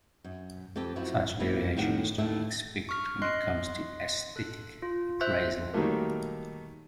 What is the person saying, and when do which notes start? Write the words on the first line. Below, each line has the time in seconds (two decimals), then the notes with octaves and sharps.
Such variation is to be expected when it comes to aesthetic appraisal.
0.24 F#2
0.76 F2 C4 G4 A4
0.96 F#2 F3 E4 F#4
1.39 A#3 C4 E4 F4
1.77 A2 D#3 G4 F#5
2.18 D#2 A2 D3 A3 E5
2.89 C#6 F6
3.22 D#5 C6 F#6 C7
4.36 A4 F#6
4.82 F4
5.21 C5 E5 E6 F#6 G6
5.73 D#3 F#3 G3 A3 A#3